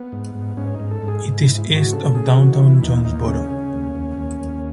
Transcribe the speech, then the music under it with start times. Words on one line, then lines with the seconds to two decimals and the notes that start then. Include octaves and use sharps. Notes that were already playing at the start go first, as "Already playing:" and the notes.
It is east of downtown Jonesboro.
Already playing: B3
0.12 G#2
0.35 G#2
0.57 G#2 C#4
0.74 D#4
0.80 G#2
0.91 A4
1.02 G#2
1.08 G#4
1.25 G#2
1.42 E4
1.47 G#2
1.59 E4
1.70 G#2
1.76 F#4
1.92 C#3 A4
2.15 C#3 G#4
2.38 E3 F#4
2.53 D#4
2.60 E3 E4
2.83 D#2 D#4
3.05 D#2 D#4
3.28 C#3 C#4
3.50 C#3
3.72 D#2
3.95 D#2
4.17 D#2
4.40 D#2